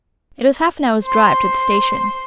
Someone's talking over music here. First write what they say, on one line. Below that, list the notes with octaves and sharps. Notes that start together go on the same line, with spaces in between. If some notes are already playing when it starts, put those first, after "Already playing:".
It was half-an-hour's drive to the station.
C5 C6